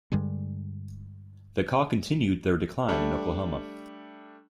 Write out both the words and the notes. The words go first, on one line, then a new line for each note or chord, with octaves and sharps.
The Kaw continued their decline in Oklahoma.
G2 D3 G3 G#3
G3 A3 D4